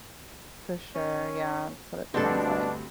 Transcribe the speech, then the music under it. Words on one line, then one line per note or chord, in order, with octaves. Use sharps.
For sure, yeah, so, that sounds, like
C#4
D2 G2 B2 C4 D4 A4